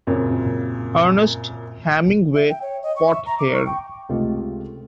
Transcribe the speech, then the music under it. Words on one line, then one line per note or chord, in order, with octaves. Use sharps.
Ernest Hemingway fought here.
F#2 A#2 C#3 C4
E5
G5
C#5
D#5
C#6
E5
A#5
D6
C#6
G5
C#2 C3 A3 F4 D#5